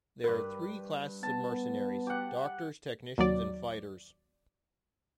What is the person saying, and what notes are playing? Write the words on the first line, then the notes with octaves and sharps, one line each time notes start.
There are three classes of mercenaries: doctors, technicians, and fighters.
G2 A#4 B4
B3 A5
G4 F#5
D#2 F#3 D5